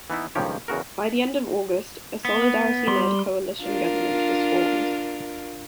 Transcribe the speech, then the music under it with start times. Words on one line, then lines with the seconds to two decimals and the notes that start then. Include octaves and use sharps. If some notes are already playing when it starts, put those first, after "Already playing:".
By the end of August, a Solidarity-led coalition government was formed.
0.10 E3 B3 D#4 E4
0.35 C#2 G2 D#3 F3 G4 C#5
0.68 E2 C#3 F#4 A#4
2.25 B3
2.87 G3 C6
3.61 D4 F4 A#4